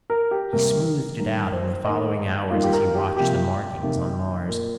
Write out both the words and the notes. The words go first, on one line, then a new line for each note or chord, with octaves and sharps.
He smoothed it out in the following hours as he watched the markings on Mars.
A#4
G4
C3 G3 A#3 A#4
D#3 G3 A#3 A#4
C5
D#3 A#3 D#5
D#3 G3 A#3 F4
G4
A#4
G4
C3 F3 A#3 G4
C3 D#3 A#3
A#2 A#3